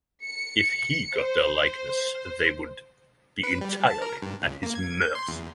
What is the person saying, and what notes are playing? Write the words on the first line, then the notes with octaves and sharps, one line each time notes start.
If he got their likenesses they would be entirely at his mercy.
C#7
C5
B4
G3
A5
A#4
G2
C#2
A#3
G#6
G6
C6
E2